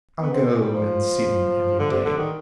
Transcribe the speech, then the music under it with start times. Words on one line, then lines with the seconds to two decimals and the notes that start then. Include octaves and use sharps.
I'll go and see them every day.
0.21 B3
0.33 C4
0.50 G#3
0.61 G3
0.73 F3
1.79 D3
1.91 C3
2.04 D3
2.17 D#3